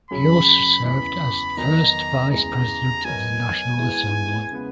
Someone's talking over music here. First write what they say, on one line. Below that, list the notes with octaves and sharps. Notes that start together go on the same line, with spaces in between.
He also served as First Vice-President of the National Assembly.
F#2 C#3 F#3 C#4 G#4 B5
E2 C#3 E3 B5
E2 D#3 F#3 B3 D#4 A#5
E2 C#3 E3 G#3 A#5
F#3 B3 D#4 A#4 C#5 G#5
E3 G#3 B3 E4
C#3 G#3 B3